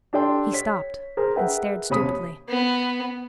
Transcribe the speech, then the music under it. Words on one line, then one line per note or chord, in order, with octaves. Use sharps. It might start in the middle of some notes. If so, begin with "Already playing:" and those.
He stopped and stared stupidly.
D4 G4 A4 D5 G5 C6
C#5 B6
G#4 A#4 C5
G#4 A#4 B4 E5 F#5 G5
D#2 C3 C#5 B5 D#6 B6
B3